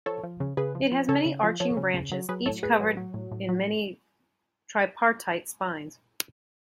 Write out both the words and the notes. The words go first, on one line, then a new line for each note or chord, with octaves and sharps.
It has many arching branches, each covered in many tripartite spines.
F3 A4 C#5
F3
C#3
C#3 G#4 B4
F3
F3
C#3 A4 C#5
C#3
F3
F3 A4 C#5
C#3
C#3
F#3
F#3 G#4 B4
A2 A4 C#5
A2 G#4 B4
F#3
F#3
A2
A2
F#3